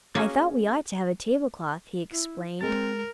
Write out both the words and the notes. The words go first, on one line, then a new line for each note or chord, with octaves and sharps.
"I thought we ought to have a tablecloth," he explained.
A#3 C#4 F#4 G#4
E4
G#3 C4 A#4 A6